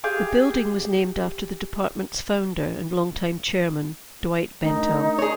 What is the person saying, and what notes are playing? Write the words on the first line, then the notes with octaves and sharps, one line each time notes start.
The building was named after the department's founder and long time chairman, Dwight Bentel.
G4 G#4 F5
A3 D4 D#4 A#4
G#4 C#5